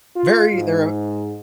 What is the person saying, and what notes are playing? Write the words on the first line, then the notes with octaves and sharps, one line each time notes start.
very they're a
F4
G#2